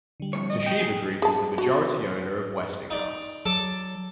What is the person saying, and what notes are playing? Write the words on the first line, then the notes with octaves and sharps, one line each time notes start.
Toshiba Group is the majority owner of Westinghouse.
D3 G3
F2 A2 C#5
D#5
G5
D#4 G#4
G#4 A5
F#4
D#4 D5
F#3 A4 A5 D6